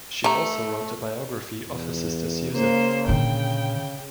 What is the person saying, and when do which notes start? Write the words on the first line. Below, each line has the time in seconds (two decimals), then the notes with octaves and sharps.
She also wrote a biography of her sister Susan.
0.24 A3 G4 A#5
1.67 E2
2.53 C#3 A#3 C5
3.08 A#2 D3 G5